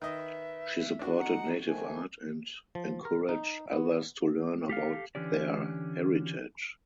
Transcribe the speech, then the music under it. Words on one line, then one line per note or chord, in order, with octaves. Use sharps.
She supported native art and encouraged others to learn about their heritage.
D#3 B4 D#5 E5
D4 F#4
D#4 F#5
D#3 F3 A3 G#5
F3
A#4
D#4
B3
G4 A4 F5
D3 E3 C#4 G4 D5